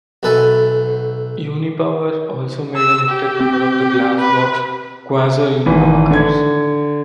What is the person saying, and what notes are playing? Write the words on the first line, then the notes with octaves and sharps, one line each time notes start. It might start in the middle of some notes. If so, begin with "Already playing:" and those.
Unipower also made a limited number of the "glass box" Quasar-Unipower cars.
B1 B2 A4 B4 E5 G#5
E6
G4
C4
B4
G#1 E3
D3 G#6